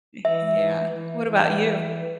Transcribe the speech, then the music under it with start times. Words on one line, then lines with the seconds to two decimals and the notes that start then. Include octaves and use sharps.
y-yeah, what about you?
0.25 E3 E5
0.59 E3
0.93 E3
1.27 E3